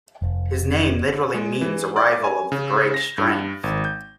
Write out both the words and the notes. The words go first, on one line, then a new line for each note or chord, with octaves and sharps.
His name literally means "arrival of the great strength".
F1
G#3
E3
D5
G#5
C#3
A#6
G2
G#1
G6